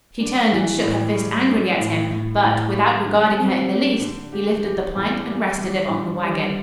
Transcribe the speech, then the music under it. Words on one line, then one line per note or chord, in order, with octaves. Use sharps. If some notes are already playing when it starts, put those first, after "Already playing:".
She turned and shook her fist angrily at him; but, without regarding her in the least, he lifted the plank and rested it on the wagon.
D4
E3
A2
G3
D4
A2
A2
A2
G4
D3
C4
G4
D3
G4
G4
E2
G3
G3
D3
G3